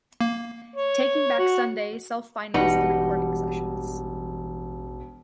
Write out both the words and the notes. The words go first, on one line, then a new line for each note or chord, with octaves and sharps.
Taking Back Sunday self-financed the recording sessions.
A#3
C#5
F#4
E1 A1 G3 D#4 F#4 B4 C#6